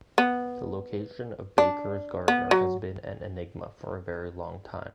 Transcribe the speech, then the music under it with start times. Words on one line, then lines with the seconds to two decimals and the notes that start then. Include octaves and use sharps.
The location of Baker's gardener has been an enigma for a very long time.
0.18 B3
1.58 D4
2.28 B3
2.51 F#3